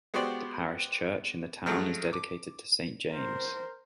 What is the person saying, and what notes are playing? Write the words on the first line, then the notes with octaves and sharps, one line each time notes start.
The parish church in the town is dedicated to Saint James.
G#3 B3 F#4 G4 C5 D5
F3 F#3 G#3 A3
D6
A#4 C5